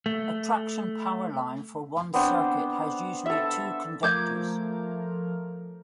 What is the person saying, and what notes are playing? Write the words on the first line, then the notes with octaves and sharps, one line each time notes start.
A traction powerline for one circuit has usually two conductors.
A3
B3 C4 D4 C5
A4 E5
F3 A3 A#4 D6 G6 G#6